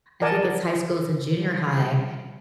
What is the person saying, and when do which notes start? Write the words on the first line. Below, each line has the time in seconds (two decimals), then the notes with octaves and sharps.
I think it's high schools and junior high,
0.22 A#4 D5 D#5 F#5 G#5 A5
1.38 F3 G3